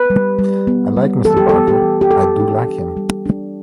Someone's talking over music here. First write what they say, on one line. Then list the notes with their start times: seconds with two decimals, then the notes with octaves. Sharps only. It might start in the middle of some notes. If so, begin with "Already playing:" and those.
I like Mr. Barker — I do like him.
Already playing: B4
0.10 G3
0.39 G3
0.67 B3
0.96 G3
1.25 E3 A4
1.37 G4
1.49 A4
1.54 B3
1.68 G4
1.82 E3
2.01 G4
2.11 G3 A4
2.40 D4
2.68 D4
2.97 G3
3.26 D4